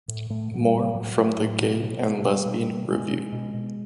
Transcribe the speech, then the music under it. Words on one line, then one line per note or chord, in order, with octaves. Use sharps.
More from The Gay and Lesbian Review.
A2
A2 A3
A2 F#3
G3
A2
A2 F#3
A2
A2
B2
B2
B2
B2 G3
B2
B2
B2 G#3
B2
B2
B2